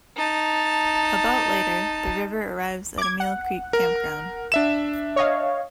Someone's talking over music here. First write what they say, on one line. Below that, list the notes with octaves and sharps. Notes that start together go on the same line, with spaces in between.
About later, the river arrives at Emile Creek Campground.
D#4 A5
D6 G#6
F#5
A#4
D4 E5 E7
C#5 D#5 F5